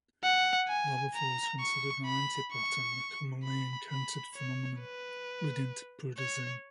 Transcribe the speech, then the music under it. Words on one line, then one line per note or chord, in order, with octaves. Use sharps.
Lava flow is considered an anti-pattern, a commonly encountered phenomenon leading to poor design.
F#5
G#5
A#5
C#6
B5
C#6
B5
B5
C#5
B4
C#5